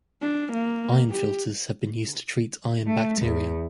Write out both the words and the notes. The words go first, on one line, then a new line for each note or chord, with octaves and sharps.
Iron filters have been used to treat iron bacteria.
D4
A#3
G4
A3
E2